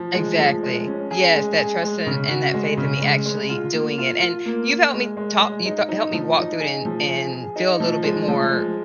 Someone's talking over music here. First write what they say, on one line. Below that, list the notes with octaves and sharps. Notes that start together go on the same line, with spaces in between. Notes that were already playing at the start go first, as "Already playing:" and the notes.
Exactly. Yes. That trust and and that faith in me actually doing it. And you've helped me ta you th helped me walk through it and and feel a little bit more
Already playing: F3
G#3
F3
G#3
C#4
G#4
G#3
G#4
G#3
C#3
F#4
G#3
C#3
G#3
G#3
F4
A#3
F4
F4
A#3
A#3
G#3
G#3
G#3
D#4
D#4
F3
D#4
G#4
F3
G#4
G#4
D#4
F3
G#3
F3
G#3